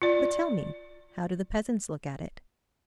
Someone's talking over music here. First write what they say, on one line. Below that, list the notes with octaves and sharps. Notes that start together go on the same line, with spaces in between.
But tell me, how do the peasants look at it?
F4 D5